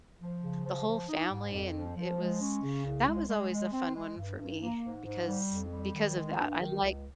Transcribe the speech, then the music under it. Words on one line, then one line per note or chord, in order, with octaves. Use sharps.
the whole family, and it was that was always a fun one for me because because of that, I'd like
F3
C#3
F3
F3
D#4
G#2
F2
F3
F3
G#3
C#4
C#3
C2
G#3
G#3
G#3
C4
G#3
G2
G2
A#3
G#2
G#2
G3
F2
G3
D#3
G#3
G2
D#3
C#2